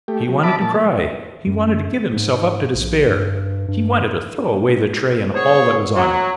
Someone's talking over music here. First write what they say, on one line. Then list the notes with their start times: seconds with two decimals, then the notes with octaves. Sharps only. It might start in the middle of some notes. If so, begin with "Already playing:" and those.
He wanted to cry, he wanted to give himself up to despair, he wanted to throw away the tray and all that was on it.
0.08 A3 G4
0.28 F#3
0.43 E5 A5 B5 D6
0.62 A#2 A5
1.47 F#2
2.13 G#2
2.75 A#1
3.08 G2
3.68 G2
5.33 B3 G#4 C5 C#5
5.95 F#3